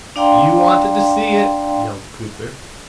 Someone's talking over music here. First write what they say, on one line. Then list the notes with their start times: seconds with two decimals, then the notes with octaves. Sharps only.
"You wanted to see it," yelled Cooper.
0.16 D4 D5 F5 G5 A#5 C6